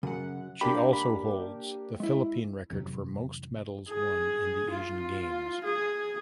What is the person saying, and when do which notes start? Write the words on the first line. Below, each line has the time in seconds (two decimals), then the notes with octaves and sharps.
She also holds the Philippine record for most medals won in the Asian Games.
0.03 F#2 C#3 F#5
0.61 C2 A#3 D4 G4 B5
0.93 B5
2.00 G#3 E4
2.70 A1 F2 C3 F#3
3.89 G#4
4.71 F4
5.64 G#4